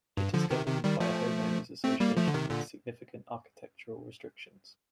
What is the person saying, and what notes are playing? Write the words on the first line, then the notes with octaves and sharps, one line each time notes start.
It is governed by a homeowners association with significant architectural restrictions.
G2
D3 F3
C3 D#3
C3 D#3
D#3 G3
F3 A3
A3 C4
G3 A#3
F3 A3
D3
C3 D#3
A#2 D3